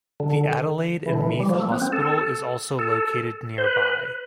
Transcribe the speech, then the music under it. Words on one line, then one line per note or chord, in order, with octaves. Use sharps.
The Adelaide and Meath Hospital is also located nearby.
D3
E3
D3
E3
G3
F3
A3
B3
C4
A4
A4
C5
B4